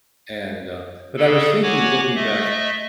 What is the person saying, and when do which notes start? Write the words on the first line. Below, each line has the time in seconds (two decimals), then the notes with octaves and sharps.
And uh but I was thinking looking back
1.16 C#3 G#4 A4
1.63 F#4 C#5 F#5 G#5 B5 D6
2.15 A3 D#5 E5